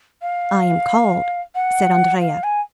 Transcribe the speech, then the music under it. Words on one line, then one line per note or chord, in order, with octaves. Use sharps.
"I am called," said Andrea.
F5
F#5
F5
G#5